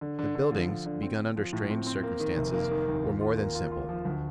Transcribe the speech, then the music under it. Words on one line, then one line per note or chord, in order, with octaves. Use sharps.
The buildings, begun under straitened circumstances, were more than simple.
D3
D3
D3
F3
F3
D3
C4
C4
F3
A2
C4
C4
A#3
D#3
F1
A#3
D#3
D#2
F4
F4
A#3
F4
F4
F3
D2